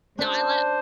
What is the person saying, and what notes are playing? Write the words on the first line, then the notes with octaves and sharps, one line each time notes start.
No, I li
D4 C5